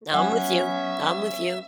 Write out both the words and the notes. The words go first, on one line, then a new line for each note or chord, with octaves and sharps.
I'm with you, I'm with you.
F#3 B3 C#4 E5 F#5 G#5